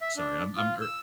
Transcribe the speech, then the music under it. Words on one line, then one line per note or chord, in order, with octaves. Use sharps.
Sorry, I'm I'm ear
E5
D4
F4
E6